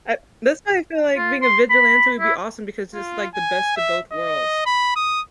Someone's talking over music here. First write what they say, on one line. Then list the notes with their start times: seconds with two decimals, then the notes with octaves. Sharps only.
uh, that's why I feel like being a vigilante would be awesome because it's like the best of both worlds.
1.17 F4
1.42 C6
1.70 B5
2.20 E4
2.94 F4
3.35 G#5
3.77 E5
4.12 D#5
4.66 B5
4.96 D#6